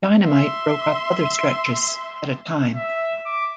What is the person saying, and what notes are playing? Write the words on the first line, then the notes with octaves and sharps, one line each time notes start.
Dynamite broke up other stretches, at a time.
E5 C6
E5
D6